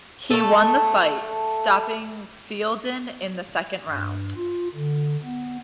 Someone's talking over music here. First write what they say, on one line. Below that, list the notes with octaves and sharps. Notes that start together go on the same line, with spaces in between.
He won the fight, stopping Fielden in the second round.
A3 A4
G2
F4
D3
B3